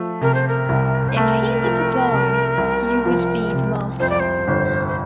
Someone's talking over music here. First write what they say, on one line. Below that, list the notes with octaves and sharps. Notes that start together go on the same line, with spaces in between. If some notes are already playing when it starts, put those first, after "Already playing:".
If he were to die, you would be the master.
Already playing: F3 A3
C3 A#4
C5
A#4
C2
C5
A3 A#4
F3
C3
C2
F3
C3
F2 C5
D5
C5
G1
C5